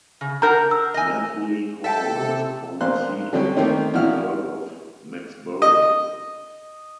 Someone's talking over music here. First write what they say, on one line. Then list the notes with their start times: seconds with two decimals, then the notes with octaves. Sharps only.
Methley Hall was the former seat of the Earl of Mexborough.
0.21 C#3
0.42 D4 A#4 F#5 A#5 G6
0.71 E6
0.94 D#5 G#5
1.84 A4 E5 G5 A5
2.12 C3
2.81 A#1 C5 F5 C6 F#6
3.33 D3 F#3 G3 C4 C#4 G4
3.56 D#3 A3 A#3 C4 C#4 D#4
3.94 A#1 E3 E4 F#4 F6
5.62 D#5